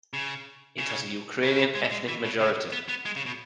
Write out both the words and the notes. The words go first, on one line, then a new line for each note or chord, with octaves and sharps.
It has a Ukrainian ethnic majority.
C#3
C#3
C#3
B2
C#3
G#3
G#3
E3
B2
C#3
B3
B3
G#3
C#3
B2